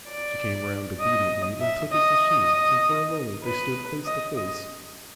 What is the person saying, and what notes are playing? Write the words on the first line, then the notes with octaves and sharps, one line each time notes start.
She came round obediently and took his machine, and for a moment they stood face to face.
D5
D#5
E5
D#5
B4
D#5
D#5